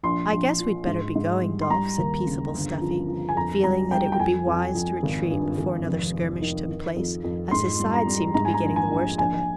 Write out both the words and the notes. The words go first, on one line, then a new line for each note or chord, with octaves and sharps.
'I guess we'd better be going, Dolf,' said peaceable Stuffy, feeling that it would be wise to retreat before another skirmish took place, as his side seemed to be getting the worst of it.
A#1 C6
A#1
F3
G#2
G#2
G3
C6
G3 A#5
D#2
C#3
G1
F3
F3
G#5
F2 A#5
G3 A#5
G3 G5
G5
F2 G#5
F2
F2
G#1
G2
G#1
F1
F1
D#3
D#3
F2
F2
G#2 C6
G3
A#5
G3
G#2 A#5
G#5
A#5
A#1
G#5
A#1
A#1 G#5